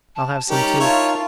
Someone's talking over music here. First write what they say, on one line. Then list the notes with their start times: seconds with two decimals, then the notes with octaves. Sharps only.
I'll have some too!
0.15 A5
0.50 G3 C#4 D#4 G4 A#4 A#5
0.80 E4 F4 C#5 A5